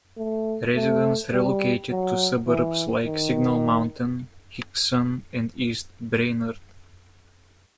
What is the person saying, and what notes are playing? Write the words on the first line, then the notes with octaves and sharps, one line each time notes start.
Residents relocated to suburbs like Signal Mountain, Hixson, and East Brainerd.
A3
A3
G3
F#3
E3
D#3